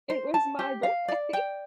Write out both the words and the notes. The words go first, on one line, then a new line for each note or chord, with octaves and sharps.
It was my birthday.
C5
A5
G4
F5
D5
G5